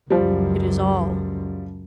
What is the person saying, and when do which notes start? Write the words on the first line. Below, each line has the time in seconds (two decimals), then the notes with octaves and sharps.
It is all.
0.10 C#2 F#2 F3 G3